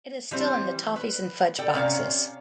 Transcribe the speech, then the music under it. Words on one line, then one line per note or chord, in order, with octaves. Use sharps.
It is still in the Toffees and Fudge boxes.
E3 G3 C4 C5
B4
A4 D5 G5
C3 C#4 C#5 F5 A#5